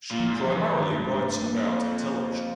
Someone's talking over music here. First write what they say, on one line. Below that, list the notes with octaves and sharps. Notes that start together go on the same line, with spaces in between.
She primarily writes about television.
A#2
F3
G#2
G2 E3
D#3
A3
G#3
A3
A#3
F#2
F2